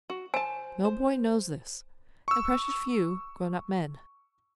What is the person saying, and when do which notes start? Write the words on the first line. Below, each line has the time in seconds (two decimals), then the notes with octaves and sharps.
No boy knows this--and precious few grown up men.
0.10 F#4
0.34 C5 G#5 A5
0.85 C5
2.28 C#6 E6